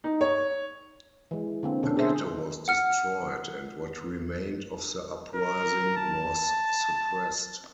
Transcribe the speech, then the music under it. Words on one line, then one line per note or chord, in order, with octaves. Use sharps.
The ghetto was destroyed and what remained of the uprising was suppressed.
D#4
C#5
E3 G#3
D3 A#3 C4
B2 D3 C#4 D4 A4
G#4 A4 C5 E5
F#5 F6 C#7
A#4
A5